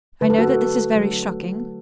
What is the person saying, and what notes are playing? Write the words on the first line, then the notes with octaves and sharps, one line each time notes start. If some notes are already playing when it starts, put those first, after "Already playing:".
I know that this is very shocking.
D3 F#3 A3 B4
A4
F#4
A4
D3 F#3 A3